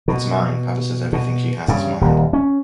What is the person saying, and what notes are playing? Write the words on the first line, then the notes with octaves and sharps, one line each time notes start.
It’s mine: papa says everything she has is mine.
B2
B2
G2 C#3
D#1 D#2
C#4